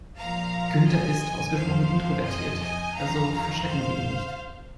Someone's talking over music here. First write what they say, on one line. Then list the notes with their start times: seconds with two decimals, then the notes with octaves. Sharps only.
Günther ist ausgesprochen introvertiert, also verschrecken Sie ihn nicht.
0.18 A#2 F3 F5 A#5
0.87 D#5 G#5
1.57 F2 C3 F3 C5 F5
2.26 D#5 G#5
2.61 D#5 G#5
2.95 F2 D#3 F5 A#5
3.65 C5 F5